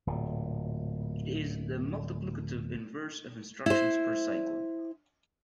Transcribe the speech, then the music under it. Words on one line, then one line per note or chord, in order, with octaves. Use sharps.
It is the multiplicative inverse of instructions per cycle.
D1 A#2
E4 C5